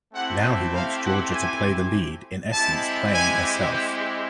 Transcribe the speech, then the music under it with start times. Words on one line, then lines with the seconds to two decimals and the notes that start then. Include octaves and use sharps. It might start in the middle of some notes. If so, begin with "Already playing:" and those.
Now he wants Georgia to play the lead, in essence playing herself.
0.13 A3 C4 E4 G4 F#5
0.43 E5
0.73 F5
1.03 F#5
1.33 G#5
2.53 G#3 C4 E4 G4 A5
3.12 G#5
3.72 G5